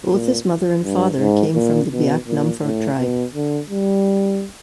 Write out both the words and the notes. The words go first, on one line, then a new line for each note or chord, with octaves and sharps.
Both his mother and father came from the Biak Numfor tribe.
A#2
G2
G#2
A#2
B2
A#2
A2
B2
D3
G3